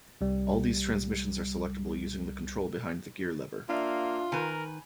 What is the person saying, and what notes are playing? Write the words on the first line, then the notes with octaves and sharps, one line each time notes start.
All these transmissions are selectable using the control behind the gear lever.
C2 G3
A#3 D4 F4 D5 E5
D#3 A#4 B4 G#5